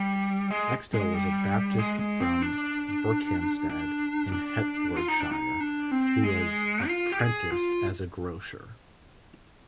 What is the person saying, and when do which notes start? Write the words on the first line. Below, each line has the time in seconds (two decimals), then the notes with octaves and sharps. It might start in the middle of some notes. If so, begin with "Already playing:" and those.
Axtell was a Baptist from Berkhamsted in Hertfordshire, who was apprenticed as a grocer.
Already playing: G3
0.51 G#3
0.94 G#3
1.14 G3
1.78 G#3
1.99 G#3
2.20 C4
2.42 D4
3.70 D4
4.32 D4
4.96 F4
5.08 D#4
5.20 D4
5.32 D#4
5.60 D4
5.91 C4
6.24 G#3
6.87 F4
7.12 G4
7.19 G#4
7.52 F4